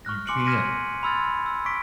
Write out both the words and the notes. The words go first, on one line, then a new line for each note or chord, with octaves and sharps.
you can't
C#6 F6 F#6 A#6
G#5 C6 D6 C#7 D7 F#7
D6 F6 G#6 A#6 B6 D#7
B5 C6 E6 F6 G#6 A6
E6
C#6 D6 B6 D7